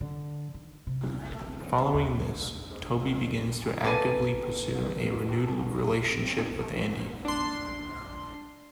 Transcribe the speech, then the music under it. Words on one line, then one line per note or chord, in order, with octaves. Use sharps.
Following this, Toby begins to actively pursue a renewed relationship with Andy.
D3
D#3
C3
D#3
D#2
A#3 A4 B4 G#5
D4 C6